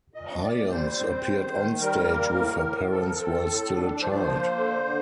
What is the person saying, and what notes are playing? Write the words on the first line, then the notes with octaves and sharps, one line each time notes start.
Hyams appeared on-stage with her parents while still a child.
A#2 D#5
A#2 D5
G3 C5
C4
D#3
D#3
G3 A#4
A#3
A2
A2
F3 A4
A#4
C4 A4
A2
D4
F3 C5
D5
C5
A#3
D3
D3